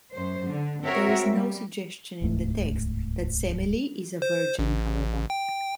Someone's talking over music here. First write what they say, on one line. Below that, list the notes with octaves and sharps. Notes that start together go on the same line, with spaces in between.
There is no suggestion in the text that Semele is a virgin, however.
F#2 C5
D3
C4 F#4 A#4 C#5 E5
G3
D1 C2 G#2 A3
C5
A1
G5